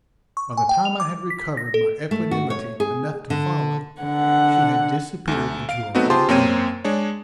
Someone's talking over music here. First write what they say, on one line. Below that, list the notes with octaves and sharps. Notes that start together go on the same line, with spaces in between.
By the time I had recovered my equanimity enough to follow, she had disappeared into her own room.
C#6
G#5
G5
F7
D6
B6
A#6
A4
A3
F#4
C#5
G#4
D3
D3 F#5
D2 A3
F5 D7
F#3 A3 B3 C4 D#4 F#4
F4 G4 G#4 C5 A5 C6
F#2 A#3 C4 C#5 G5 D#7
G#3 D4 C#5